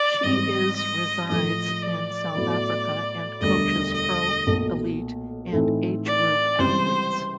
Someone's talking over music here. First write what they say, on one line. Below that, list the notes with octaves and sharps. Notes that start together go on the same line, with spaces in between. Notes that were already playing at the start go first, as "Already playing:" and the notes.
She is resides in South Africa and coaches pro, elite and age group athletes.
Already playing: D5
G#2 E3 G3 C4 D#5
D#5
A2 F3 A3 D#5
D5
A2 F#3 B3 E4
E1 D2 D3 G3 D#5
D#5
B1 A#2 F#3 A3
A2 E3 A3 C4 D#4
D5
C#2 C3 E3 G3 C5